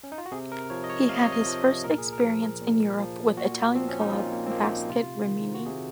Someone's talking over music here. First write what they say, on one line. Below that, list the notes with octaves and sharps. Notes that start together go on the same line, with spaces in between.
He had his first experience in Europe with Italian club Basket Rimini.
C#4
D#4
F4
F#4
C3 G#4
A#4
F3 C#5
D#5
C#5
C3 F5
D#5
C#5
D#5
F3
A#2 A#4
G#4
A#4
F3
A#2
F3
A#2 F#4
F3 C4
C#4
D#4
A#2 F4
A#3
C4
F3 A#3
D#4
C3 F4
D#3
F#4
C3 G#4